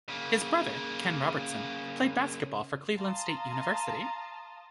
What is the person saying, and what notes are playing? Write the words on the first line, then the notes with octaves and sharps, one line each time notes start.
His brother, Ken Robertson, played basketball for Cleveland State University.
C#3 A#3
F5 A5 A#5 C6 D#6